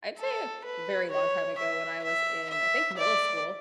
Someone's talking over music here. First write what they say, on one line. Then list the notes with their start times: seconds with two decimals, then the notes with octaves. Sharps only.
I'd say a very long time ago when I was in, I think, middle school,
0.18 A4
0.65 B4
1.11 C#5
1.58 E5
2.03 E5
2.49 E5
2.97 D5